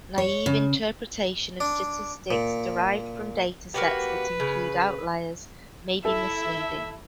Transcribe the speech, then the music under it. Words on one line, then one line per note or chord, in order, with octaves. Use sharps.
Naive interpretation of statistics derived from data sets that include outliers may be misleading.
C#5
C#3
D4
A#2
A#3 F#4 G4 B4
C#3
E4 A4 E5